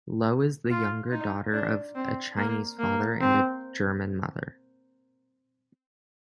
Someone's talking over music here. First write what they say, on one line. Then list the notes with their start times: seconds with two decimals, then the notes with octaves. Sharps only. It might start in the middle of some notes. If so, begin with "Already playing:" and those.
Loh is the younger daughter of a Chinese father and a German mother.
0.71 F4
1.12 D#4
1.54 D4
1.95 C4
2.37 A#3
2.79 A#3
3.21 C4